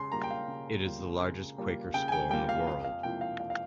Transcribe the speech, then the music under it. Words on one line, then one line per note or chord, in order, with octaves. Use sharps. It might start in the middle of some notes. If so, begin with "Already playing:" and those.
It is the largest Quaker school in the world.
Already playing: C#3 C6
G3 A#3 F4 A#5
G5
F5
C#3
G3 A#3 F4
C#3
G3 A#3 F4
C#3 G5
G#5
G5
G3 A#3 F4 G5
F5
F2 F5
F5
C3 F3 A#3 E4 G5
F5
F2 F5
F5